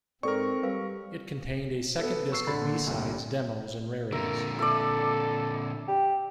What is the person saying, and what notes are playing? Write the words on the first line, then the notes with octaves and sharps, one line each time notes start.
It contained a second disc of B-sides, demos and rarities.
G#2 C4 A4 A#4 D5 C#6
G3 B4 F5
B3 A4
C#6 E6 C7
D3 B5 A6
A#2
C2 G2 A#2
A#2 D3 A#4 E5
A4 D5 E5
G4